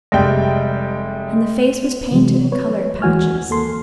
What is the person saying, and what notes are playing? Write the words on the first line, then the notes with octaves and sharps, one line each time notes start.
And the face was painted in coloured patches.
F1 G3 G#3 E5 G5
C3 E3 F#3 G#3
B4 C#5
D#2 E3 G#3 F#4 G#5 F6
D#2 A#3 A4 C6